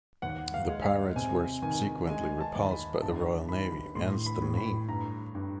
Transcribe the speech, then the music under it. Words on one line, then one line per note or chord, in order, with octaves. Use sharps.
The pirates were subsequently repulsed by the Royal Navy, hence the name.
D#2 F#5
F5
G#3
F5
C3 G#5
D#3 G#5
G#3 G#5
A5
D#2
B5
G2 A5
D#3 B5
B5
A2 C6
B5
A2
B5
G2 A#5
G2